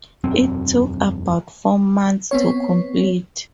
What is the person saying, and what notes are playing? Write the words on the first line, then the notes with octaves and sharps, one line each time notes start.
It took about four months to complete.
E1 F#2 C4
B3 C4 C#5